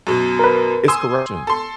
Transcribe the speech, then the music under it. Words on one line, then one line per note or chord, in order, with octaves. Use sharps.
it's corruption.
F#2 B2
A#4 B4
G#5 C6 D#6 E6
A4 C6